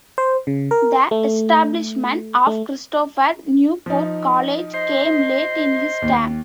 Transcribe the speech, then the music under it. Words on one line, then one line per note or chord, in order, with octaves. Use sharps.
The establishment of Christopher Newport College came late in his term.
C5
C#3
A#4
A3
A3
F3 D#4
C5 D#5
D#2